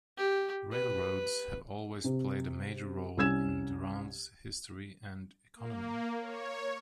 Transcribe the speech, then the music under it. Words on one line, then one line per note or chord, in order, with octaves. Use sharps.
Railroads have always played a major role in Durand's history and economy.
G4
B4
C3
C2 C#4 E6 G#6 E7
A#3
C#5